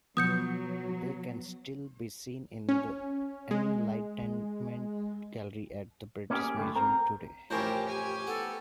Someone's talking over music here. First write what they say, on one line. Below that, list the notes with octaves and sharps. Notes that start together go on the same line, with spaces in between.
They can still be seen in the Enlightenment Gallery at the British Museum today.
B2 F3 F#3 B3 F#4 D#6 G6 C#7
C#4
G#3
A#3 C#4 D#4 E4 G4 G#4
A2 D3 A3
C4 A#4
A1 F2 G3 C4 C#4 G4 A#4 C5
G4 G#5
B3 A4